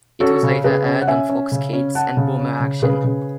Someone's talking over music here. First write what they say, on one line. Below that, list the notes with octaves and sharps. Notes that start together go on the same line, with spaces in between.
It was later aired on Fox Kids and Boomeraction.
C#4 F#4 A4
C#3
C#3 G#4 B4
C#4
F#5
C#4 E5 G#5
C#4
C#3
C#4
C#4 F#5 A5
C#3
C#4
C#3
C#3 G#4 B4
C#3